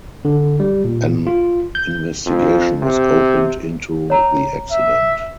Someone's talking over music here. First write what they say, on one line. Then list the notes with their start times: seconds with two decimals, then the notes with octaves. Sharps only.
An investigation was opened into the accident.
0.25 D3
0.60 G3
0.84 A#2
1.27 F4
1.75 G6
2.26 F2
2.82 C3
4.10 C#5 A#5
4.72 E5